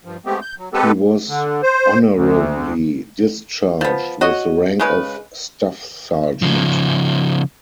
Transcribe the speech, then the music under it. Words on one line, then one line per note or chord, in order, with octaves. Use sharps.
He was honorably discharged with the rank of staff sergeant.
G2 F3
G#3 A3 B3 C4 G4
G6
F#3
G#3 B3 C4 G4 A4 B4
D3
C5
D2
F3 B3
F#4 C#5 D#5
C#3 G#3 B4
C#3 F3